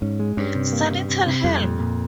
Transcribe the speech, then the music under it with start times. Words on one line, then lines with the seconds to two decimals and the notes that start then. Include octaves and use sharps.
Sentinel Help!
0.02 G#2 C#4
0.20 G#3
0.37 G2 C#4
0.55 C3
0.73 A#3
0.91 C3
1.09 C3
1.26 C3
1.44 F2 G3
1.61 A#2
1.79 A#2